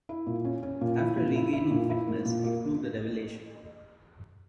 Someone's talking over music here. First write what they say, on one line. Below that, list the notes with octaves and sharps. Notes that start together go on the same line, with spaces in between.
After regaining fitness he proved a revelation.
E4
A#2
C#4
C#4
A#2
E4
A#2
E4
E4
A#2
E4
A#3
A#2
A#3